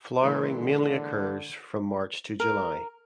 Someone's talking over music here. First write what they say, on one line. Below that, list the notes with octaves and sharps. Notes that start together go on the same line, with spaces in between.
Flowering mainly occurs from March to July.
A#2 E3 G#3
D3
A#4